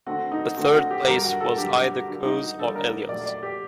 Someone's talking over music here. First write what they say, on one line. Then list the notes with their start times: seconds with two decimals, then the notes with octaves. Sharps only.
The third place was either Coe's or Elliott's.
0.07 D3 A3 C4 F#4
0.32 D#4
0.57 D3 A3 C4 F#4
0.74 F#4
0.91 G4
1.07 G2 D3 F#3 A#4
1.24 F#4
1.41 A4
1.58 G2 D3 F#3 G4
1.92 F#4
2.08 D3 G3 A#3 F#4
2.25 D#4
2.42 F#4
2.59 D3 G3 A#3 A4
2.76 A#4
3.09 A#2 F#3 A3 D5
3.26 D5
3.43 G4